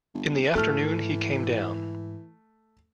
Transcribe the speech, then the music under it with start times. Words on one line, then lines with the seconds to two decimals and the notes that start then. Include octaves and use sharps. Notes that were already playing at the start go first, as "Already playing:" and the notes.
In the afternoon he came down.
0.14 G1
0.55 G#2 E3 A3 F6